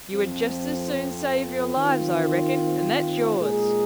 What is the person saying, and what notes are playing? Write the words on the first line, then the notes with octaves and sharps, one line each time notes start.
You would just as soon save your lives, I reckon; and that's yours.
F2 F3 C4
D#3 C4 F4
A#2 G#3 D#4 G#4